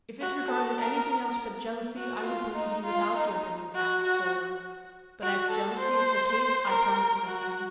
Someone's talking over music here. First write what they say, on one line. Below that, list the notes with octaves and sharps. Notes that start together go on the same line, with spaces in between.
"If it regarded anything else but jealousy, I would believe you without your bringing facts forward; but as jealousy is the case, I promise nothing."
F#4
A4
A#4
F#4
F4
D#4
F4
D#4
F#4
F#4
F#4
A4
C5
A#4
F#4